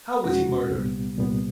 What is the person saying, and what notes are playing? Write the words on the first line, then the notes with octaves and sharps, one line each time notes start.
How was he murdered?
E2 B2 G#3 C#4 F#4
C2 A#2 G3 B3
C2 A#2 G3 B3